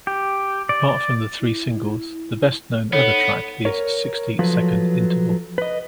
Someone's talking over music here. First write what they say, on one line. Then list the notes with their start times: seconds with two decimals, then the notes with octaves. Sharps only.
Apart from the three singles, the best known other track is "Sixty Second Interval".
0.07 G4
0.69 D5
0.89 D5
1.40 E4
2.93 B3 D#4 A4 C#5
3.65 A#4 C#5
4.39 F3 F#3 A4 B4
5.58 B4 D#5